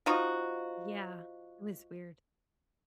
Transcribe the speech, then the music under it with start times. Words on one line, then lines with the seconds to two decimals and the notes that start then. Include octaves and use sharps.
Yeah. It was weird.
0.06 F3 D#4 F#4